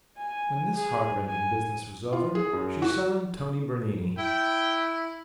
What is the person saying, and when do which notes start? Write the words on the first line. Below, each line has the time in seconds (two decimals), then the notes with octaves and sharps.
When this heartrending business was over she summoned Tony Bernini.
0.17 G#5
0.75 G#4
1.26 G#5
2.13 F4
2.35 G#4
2.53 F#2
2.82 F#4
2.98 F#3
4.18 E4 G5